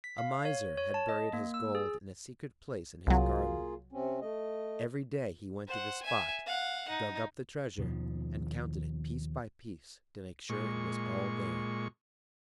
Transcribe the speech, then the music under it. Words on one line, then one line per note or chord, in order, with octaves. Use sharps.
A Miser had buried his gold in a secret place in his garden. Every day he went to the spot, dug up the treasure and counted it piece by piece to make sure it was all there.
B6
F5
C#5
C#5
A5
D#5
A#3
E6
G#4
C2 F#3 A#3 F4 G#4
C3 C4 C#4
A3 D#5
C5 F#5
E5 G#5
F5 F#5
D#4
D#2 B2 D#3 F3
A#2 G#3 C#6